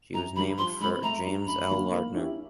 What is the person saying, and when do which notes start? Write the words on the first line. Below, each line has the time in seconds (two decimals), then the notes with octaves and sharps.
She was named for James L. Lardner.
0.14 F#2 A#5
0.36 D3 G3 B5
0.58 F3 C6
0.80 G#3 B5
0.84 C4
1.03 A3 A#5
1.26 D4 G4
1.47 F#2 B5
1.70 D3 F#3 A#3
1.92 A#3
2.14 C#4 E4 G4